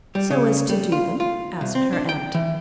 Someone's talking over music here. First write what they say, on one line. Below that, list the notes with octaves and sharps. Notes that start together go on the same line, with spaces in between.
"So as to do them?" asked her aunt.
G3
C#3
G3
F4
F4
C2
C4
D4
G5
E3